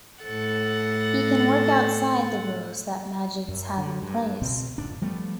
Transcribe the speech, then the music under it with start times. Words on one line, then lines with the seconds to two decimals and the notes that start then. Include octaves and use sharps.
He can work outside the rules that magids have in place.
0.23 A2 A4 F#5 A6
3.48 F#2
3.78 D3
4.03 G2
4.42 C#2 B2 C4
4.78 F1 C#2 G#2 D4
5.01 F3 G3 A3 B3